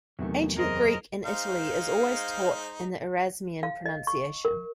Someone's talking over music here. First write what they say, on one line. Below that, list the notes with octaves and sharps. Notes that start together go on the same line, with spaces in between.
Ancient Greek in Italy is always taught in the Erasmian pronunciation.
E2 C3 D#3 F#3 A3
F#2 G#4 A#4 C5 D#5
G#3 D#4 C5 F5
F5
D#5
C#6
A#4